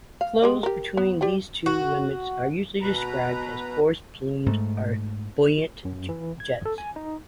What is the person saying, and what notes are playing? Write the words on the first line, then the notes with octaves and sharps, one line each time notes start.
Flows between these two limits are usually described as forced plumes or buoyant jets.
F5
G#3 G4 D#5
G4 A#4
B3
G4 D5 G5
F#4
B2 B4 A#5
G#2 A3
F#2
E3
G#6
A4
G#5
D#4